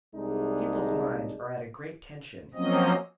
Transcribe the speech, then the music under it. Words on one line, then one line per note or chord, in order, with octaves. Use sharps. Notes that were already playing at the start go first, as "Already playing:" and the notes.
The people's minds are at a great tension.
C2 G#3 D4 D#4 G#4
F3 F#3 A#3 C4 C#4 D#5